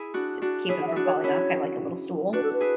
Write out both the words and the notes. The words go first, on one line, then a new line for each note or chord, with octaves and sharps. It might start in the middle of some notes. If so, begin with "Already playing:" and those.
to keep him from falling off, kind of like a little stool,
Already playing: E4 G#4
D4 F#4
D4 F#4
E4 G#4 C#5
F#5
E5
D4 F#4
C#5
C#4 E4 C#5
D4 F#4 B4
A4
B4
E4 G#4